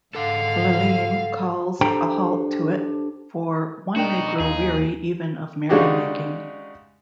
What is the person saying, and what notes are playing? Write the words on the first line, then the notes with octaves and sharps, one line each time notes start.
Lurlene calls a halt to it, for "one may grow weary even of merrymaking".
G#2 A4 F5 F#5
D4 G4 A4 C5 G5 A#5
B2 D4 D#4 F#4 A#4 G5
D#2 F4 G#4
C#3 G#3 D4 D#4 F#4 G4